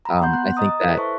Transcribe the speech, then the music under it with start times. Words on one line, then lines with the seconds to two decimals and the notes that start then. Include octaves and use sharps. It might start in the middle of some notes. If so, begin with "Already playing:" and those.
um, I think that
0.05 A#5 B5
0.21 B3 F#5 C6 G6
0.33 F#6
0.57 D#5 A#5 D#6
0.81 E4 A4 B4 C5 F#6 B6
0.96 B4 C5 E5 A5 C#6